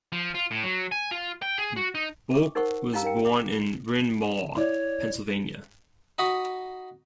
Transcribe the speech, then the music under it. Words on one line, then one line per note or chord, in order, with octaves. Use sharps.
Bok was born in Bryn Mawr, Pennsylvania.
F3
F4
A2
F#3
G#5
F4
G5
G#4
F#4
D#4
C#6 D6
D#4 A#4 C5 F#5 C#6
C#4 D#4 G4 F5 A#5 E6
A#4 F5 G5
E4 D6
E4 C#5 D5
D#4 F#4 B5 D#6